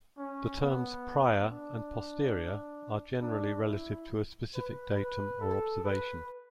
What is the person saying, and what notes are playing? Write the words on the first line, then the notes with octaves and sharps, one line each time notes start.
The terms "prior" and "posterior" are generally relative to a specific datum or observation.
C#4
B3
D4
D4
E4
B4
B4
A4
B4